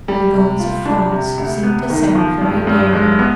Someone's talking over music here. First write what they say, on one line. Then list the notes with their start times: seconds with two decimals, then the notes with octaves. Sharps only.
The guns of France seemed to sound very near her.
0.08 G3
0.34 C3
0.60 F4
0.86 D4
1.12 C3
1.38 D2
1.63 B3
1.89 D#3
2.15 F3
2.41 G2
2.67 G2
2.93 G#3
3.19 B3